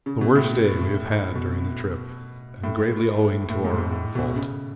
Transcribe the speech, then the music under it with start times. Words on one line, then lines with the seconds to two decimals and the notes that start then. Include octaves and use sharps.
The worst day we have had during the trip and greatly owing to our own fault.
0.06 C#3
0.21 B2
0.35 A2
1.35 B2
2.64 A2
3.50 A2
3.64 G#2
3.78 G#2
3.93 A2
4.15 B2
4.35 C#3